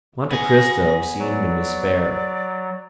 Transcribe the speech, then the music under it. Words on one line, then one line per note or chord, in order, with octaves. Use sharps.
Monte Cristo seemed in despair.
B3 G#4 A#6
F#3 D5